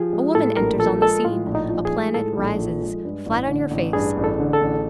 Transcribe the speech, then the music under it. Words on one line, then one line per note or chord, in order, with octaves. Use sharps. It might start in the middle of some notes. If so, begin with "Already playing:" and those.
A woman enters on the scene, a planet rises; flat on your face!
Already playing: F3 G4 G#4
G#3
A2 A4
A#1 A#4
F3 A4
G#3 A4
A2 F4
A#1
D#4
F3
G#4
G#3
A2 A4
A#1
F3
G#3
G2
A1
D3
A1
G2 G#4
A1
A4
D3
A4
A1